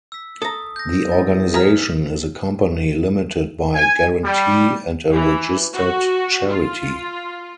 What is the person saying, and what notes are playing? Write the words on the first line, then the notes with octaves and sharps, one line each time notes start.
The organisation is a company Limited By Guarantee and a registered charity.
E6 B6
A4 A#5 D#6
G6 A#6
E2 A6
G#4 A#5 F6 B6
G#5
G3
E3
F#4
F4